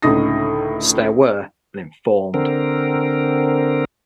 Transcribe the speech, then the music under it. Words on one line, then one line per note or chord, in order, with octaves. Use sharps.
Stay aware and informed.
C#2 A2 D3 D#4 D#6 A#6
D3 C4 A#4